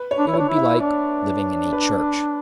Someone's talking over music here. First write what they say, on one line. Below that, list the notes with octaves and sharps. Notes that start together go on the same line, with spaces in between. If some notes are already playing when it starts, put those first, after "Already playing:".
It would be like living in a church.
Already playing: B4
C#5
D4
E4
D4 C#5
E4
E5
D4 D5
B4